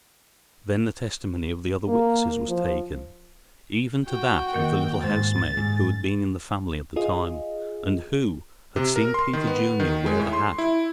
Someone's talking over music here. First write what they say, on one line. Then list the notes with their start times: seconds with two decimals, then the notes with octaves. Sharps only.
Then the testimony of the other witnesses was taken, even to that of the little housemaid who had been in the family at the time, and who had seen Peter Junior wear the hat.
1.88 A#3
2.48 F3
4.05 F#4 G5
4.53 D#3 A#3 A#4
5.03 G#2 C5 A6
5.57 G#2
6.96 F4 G#4 D#5
8.76 C3
8.96 A#4
9.14 C6
9.33 D#3
9.47 B3
9.80 D#3
10.06 G#3
10.20 A2
10.33 C6
10.58 E4